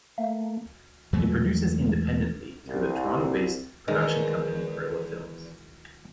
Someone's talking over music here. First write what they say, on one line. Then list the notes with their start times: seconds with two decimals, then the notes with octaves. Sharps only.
He produces independently through the Toronto-based production company Guerrilla Films.
0.18 A3 A#3
1.13 E2 F#3 G#3 A3
2.66 C2
3.88 E2 D#3 G#3